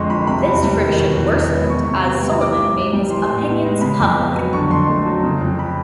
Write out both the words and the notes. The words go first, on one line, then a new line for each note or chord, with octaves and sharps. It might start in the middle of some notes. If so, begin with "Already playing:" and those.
This friction worsened as Sullivan made his opinions public.
Already playing: F2 D3 G#3 C6 C#6
F3 B5
C3 B5
E2
G3
D#3
B2
E2
B3
G#3
E3 C#6
C3
B3
G3
E3 D6
G#2
G#2
G3
E3 C6
A2
B3
G#3
C#3 B5
F2
B3
F#3
D3 C#6
F2 C6
A3
F#3
C#3
F2
B5